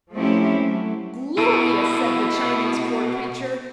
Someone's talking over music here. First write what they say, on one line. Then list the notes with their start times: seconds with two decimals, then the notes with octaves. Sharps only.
"Glorious!" said the Chinese Court Preacher.
0.14 F3 A3 C4 C#4 E4 G4
0.59 F#3 A3
1.38 B2 E4